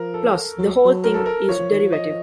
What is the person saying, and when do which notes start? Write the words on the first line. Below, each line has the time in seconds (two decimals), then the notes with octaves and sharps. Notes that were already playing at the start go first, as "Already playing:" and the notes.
Plus, the whole thing is derivative.
Already playing: F3 A#4
0.14 A4
0.58 F#3
0.85 F#3
1.04 A#4
1.14 A4
1.26 A#4
1.48 F3 C#5
1.59 F3
1.71 D#3
1.82 F3
1.92 F3 D#5